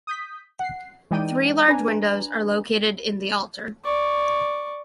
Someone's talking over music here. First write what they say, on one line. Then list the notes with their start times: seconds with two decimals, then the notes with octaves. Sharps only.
Three large windows are located in the altar.
0.07 D#6 G6 B6
0.59 F#5 C7
1.11 E3 G#3 D#4 D5 G5 D#7
1.68 D4 B4 G#5 A#5
3.85 D5 C#6